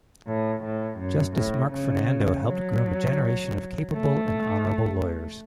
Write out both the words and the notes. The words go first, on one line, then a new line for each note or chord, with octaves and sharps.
Justice Mark Fernando helped groom a generation of capable and honourable lawyers.
A2
A2
F#2
A2
C#3
F#3
A3